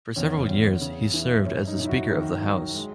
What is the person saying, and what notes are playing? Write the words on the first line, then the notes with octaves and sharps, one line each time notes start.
For several years he served as the speaker of the House.
E2 C#4
E2
C#3
E3
F#2 C#4
D#4
F#2
E4
F#4
D#3
F#3
G#3